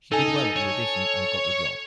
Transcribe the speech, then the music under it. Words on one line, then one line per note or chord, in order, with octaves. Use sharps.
She did well at the audition and got the job.
D#4 A4 G#5
C#5